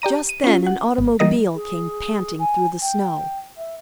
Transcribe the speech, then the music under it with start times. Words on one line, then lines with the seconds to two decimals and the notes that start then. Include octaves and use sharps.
Just then an automobile came panting through the snow.
0.02 G4 D5 A#5 D#7
0.29 D#7
0.44 C#4 F4
0.66 F#5
0.98 G#1
1.19 E3 G3 A#3 D#5 A#6
1.55 G#4
2.39 G#5
2.82 G5
3.57 E5